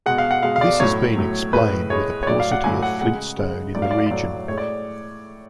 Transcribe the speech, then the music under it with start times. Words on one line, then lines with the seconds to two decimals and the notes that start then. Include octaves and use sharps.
This has been explained with a paucity of flintstone in the region.
0.06 B2 G#3 F#5
0.18 F5
0.31 F#5
0.43 B2 G#3 F5
0.56 F5
0.61 D5
0.80 A2 F#3 C#5
1.17 A2 F#3
1.53 A2 G#3 B4
1.90 A2 G#3 C#5
2.23 C#5
2.27 A2 F#3 D5
2.40 F5
2.52 F#5
2.64 A2 F#3 G#5
2.83 F#5
3.01 C#3 G#3 F#5
3.38 C#3 G#3
3.75 A2 F#3 D5
3.82 F5
3.91 D5
3.98 F5
4.06 A2 F#3 D5
4.48 A2 G#3 C#5
4.58 D5